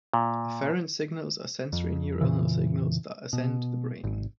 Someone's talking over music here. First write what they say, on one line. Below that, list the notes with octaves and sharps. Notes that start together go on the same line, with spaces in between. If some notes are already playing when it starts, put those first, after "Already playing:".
Afferent signals are sensory neuronal signals that ascend to the brain.
A#2
F2
F2 A#2 C#3 E3
B2
G#1